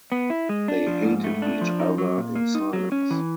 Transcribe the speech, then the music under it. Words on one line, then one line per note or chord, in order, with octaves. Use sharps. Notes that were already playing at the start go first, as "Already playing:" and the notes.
They hated each other in silence.
B3
E4
G#3
D4
F3
G#2
A3
D4
F3
D#4
F#3
A#2
A#3
D#4
F#3
C#4
E3